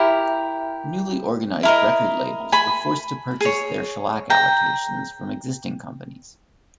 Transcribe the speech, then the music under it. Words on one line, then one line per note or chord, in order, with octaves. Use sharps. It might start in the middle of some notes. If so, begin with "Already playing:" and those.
Newly organized record labels were forced to purchase their shellac allocations from existing companies.
Already playing: E4 G4 A#4
E4 A#4 D#5
G#5 B5
G#4 C#5
G5 A#5